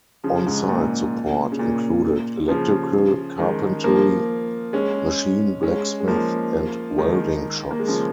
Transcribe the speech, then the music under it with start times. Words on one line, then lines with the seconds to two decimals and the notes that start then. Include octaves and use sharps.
Onsite support included electrical, carpentry, machine, blacksmith, and welding shops.
0.24 C#3 F3
0.47 G#2 C#3
0.69 A#2
1.52 C#3
1.59 A#2
2.48 C#3 F3
3.38 D#3 G#3
3.84 F3 A#3
4.73 G#3 C#4
5.63 G#3 C#4
6.00 G#3
6.08 F3 A#3
6.98 D#3 G#3
7.71 A#3
7.79 G#3
7.88 C#3 F3